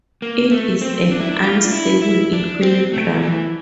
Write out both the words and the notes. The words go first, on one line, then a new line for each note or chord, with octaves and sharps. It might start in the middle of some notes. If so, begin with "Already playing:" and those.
It is an unstable equilibrium.
A#3
A3
C4
D4
E4
D4
F4
D4
E4
E4
D4
C4
A3
F3
E3